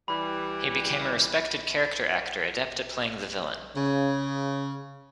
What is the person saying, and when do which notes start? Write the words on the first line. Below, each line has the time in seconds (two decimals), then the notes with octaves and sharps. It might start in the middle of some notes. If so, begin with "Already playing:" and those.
He became a respected character actor, adept at playing the villain.
0.08 E3 G3 B5
3.76 C#3